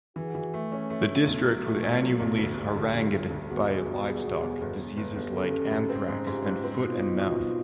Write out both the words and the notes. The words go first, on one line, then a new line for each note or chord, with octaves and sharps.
The district with annually harangued by livestock diseases like anthrax and foot and mouth.
E3 F#4 G#4
E3
A3
C#4
A3
A3
B1
F#3
A3
A#2
F#3
B1
D2
G3
D2
D2 F4 G4
G3
D2
E2 F#4 G#4
B2
B2
G3 F#4 G#4
B2
E2
G1
G1
G1
G1 G4 A4
C#3
C#3
G#2
C4
G#2
G#2 F4 G4
G#2
C4
B2 D#4 F4
B2
B2
B2